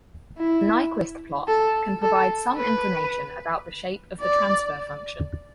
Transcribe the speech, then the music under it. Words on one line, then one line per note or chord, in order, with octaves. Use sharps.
The Nyquist plot can provide some information about the shape of the transfer function.
E4
A4
A4
B4
D5